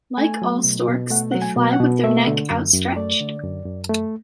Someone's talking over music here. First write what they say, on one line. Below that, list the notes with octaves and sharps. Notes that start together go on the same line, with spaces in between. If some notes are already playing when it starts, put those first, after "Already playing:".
Like all storks, they fly with their neck outstretched.
A3 G#5
F#3
B2
B2
A3 F#5
F#3 F#5
G#5
B2
F#5
B2
A3 E5
D3
F#2
F#2
A3 D5
D3
F#2
F#2
A3